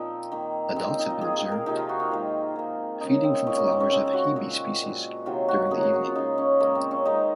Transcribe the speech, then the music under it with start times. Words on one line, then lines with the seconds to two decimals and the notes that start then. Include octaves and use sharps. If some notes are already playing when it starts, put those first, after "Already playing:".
Adults have been observed feeding from flowers of "Hebe" species during the evening.
Already playing: A#2 F3 A#3 C4 D#4 F4
0.32 D#3 A#3
0.76 A#2 G#3 C4
0.88 C4
0.99 D#4
1.10 F4
1.21 D#3 A#3 G#4
1.37 G#4
1.52 A#4
1.66 C3 F3 A#3 D#4
1.77 F4
1.89 F#4
2.00 F4
2.11 D#3 G#3
2.56 D#3 A#3
3.01 C#3 G#3 D#4
3.23 C4
3.47 A#2 G#3 C#4
3.57 A#3
3.68 C4
3.80 C#4
3.91 C#3 F3 G#3 C4
4.13 F#4
4.36 A#2 G#3
4.81 A#2 G#3
5.26 C3 D#3 F#3 A#3 F4
5.48 F#4
5.70 C#3 F#3 A#3 G#4
5.83 G#4
5.93 F#4
6.05 F4
6.15 C#3 G#3 D#4
6.38 C#4
6.60 A#2 G#3 A#3
6.75 C4
6.91 C#4
7.05 D#3 G#3 D#4